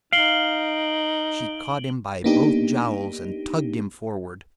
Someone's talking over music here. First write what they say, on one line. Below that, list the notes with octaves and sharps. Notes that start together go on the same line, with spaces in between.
She caught him by both jowls and tugged him forward.
D#4 F5 C7 D7 F#7 G7
A#3 B3 D4 D#4 G4